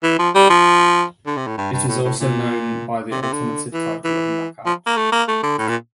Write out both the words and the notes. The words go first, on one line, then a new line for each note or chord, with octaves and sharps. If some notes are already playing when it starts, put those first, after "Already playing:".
It is also known by the alternative title of Knock Out.
E3
F3
G3
F3
D3
C3
A2
G2
G2
A2
A2
A#2
C3
C3
D3
E3
E3
F3
A#3
A3
A#3
A3
D3
A2
A#2